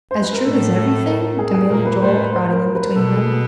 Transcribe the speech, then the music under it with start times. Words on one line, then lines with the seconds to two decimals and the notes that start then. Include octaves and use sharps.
"As true as everything?" demanded Joel, crowding in between them.
0.11 C5
0.22 B4
0.33 A#4
0.44 A2 A3 A4
0.75 A4
1.08 A#4
1.39 G#4
1.54 G#4
1.70 A#2 A#3 A#4
1.85 B4
2.01 A2 A3 C5
2.17 B4
2.33 C5
2.53 A#4
2.75 B4
2.95 B2 B3 A4
3.17 G#4